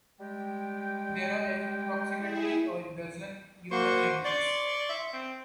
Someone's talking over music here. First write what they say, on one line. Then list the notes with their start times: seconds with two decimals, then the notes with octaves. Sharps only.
There are approximately a dozen Yuman languages.
0.21 G3 G#3 G5
2.18 E4 G#4 E5
3.71 A#3 F#4 C5 C#6
4.25 D5 C6 C#6
4.89 E5
5.13 C4